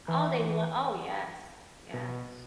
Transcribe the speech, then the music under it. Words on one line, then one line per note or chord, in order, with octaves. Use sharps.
Oh, they lo Oh, yes. Yes.
E3
B2